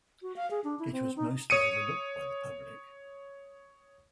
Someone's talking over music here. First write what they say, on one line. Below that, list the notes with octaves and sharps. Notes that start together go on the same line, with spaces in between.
It was mostly overlooked by the public.
F#4
F5
G#4
D4
E4
C4
D#4
C#5 D#6 C#7 D#7